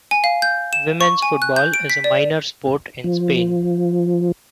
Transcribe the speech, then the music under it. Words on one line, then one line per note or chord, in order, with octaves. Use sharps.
Women's football is a minor sport in Spain.
G#5
F5
G6
E7
C#6
G#5
F#6
G6
D7
B6
D5
F3